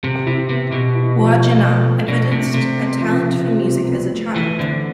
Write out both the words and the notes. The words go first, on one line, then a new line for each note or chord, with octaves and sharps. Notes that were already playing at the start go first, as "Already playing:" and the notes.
Wagenaar evidenced a talent for music as a child.
C3 G4
C3 E4
C3 B3
B2 G4
E4
F3
A4
A4
A3
B2 D4
C3 A3
C3 A3
B3
F3
F3
F3
B3
B3
A3
E3 A3
D3 C4